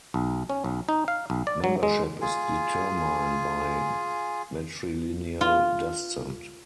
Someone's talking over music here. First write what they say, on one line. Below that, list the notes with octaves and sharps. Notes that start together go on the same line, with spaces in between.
Membership is determined by matrilineal descent.
B1
C#4
B1
D#4
F5
B1
D5
F#3
G#3
F4 G#4 G#5
F4